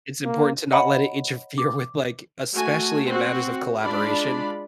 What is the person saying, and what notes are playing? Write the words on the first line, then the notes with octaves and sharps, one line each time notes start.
It's important to not let it interfere with, like, especially in matters of collaboration,
A#3
C#5 D#5 F#5 A#5 B5
D6
A3 F#4 G#5
C4 F#4
G#3 D4 F4 D5 B5